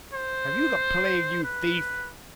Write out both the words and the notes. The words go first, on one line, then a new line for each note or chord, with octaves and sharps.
Have you the plague, you thief?
C5
B4